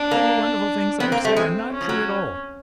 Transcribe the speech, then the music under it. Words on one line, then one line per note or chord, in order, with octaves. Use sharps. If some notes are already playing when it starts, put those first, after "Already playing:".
All the wonderful things I have said are not true at all.
Already playing: D4
A#3
B3 C4
A#3
A3
G#3
C#4
F3
F#3